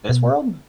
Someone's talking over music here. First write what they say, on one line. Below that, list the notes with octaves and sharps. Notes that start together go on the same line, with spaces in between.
This world?
B2